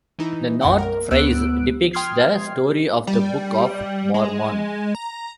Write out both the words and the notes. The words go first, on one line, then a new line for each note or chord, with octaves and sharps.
The north frieze depicts the story of the "Book of Mormon".
E3 D#4 E4
B1 F#2 C#5 F#5 G5
A#4
D2 B3 E6 F#6 D7
G5 C6 D#6 F6 G#6 C7
G3
G#3
A#5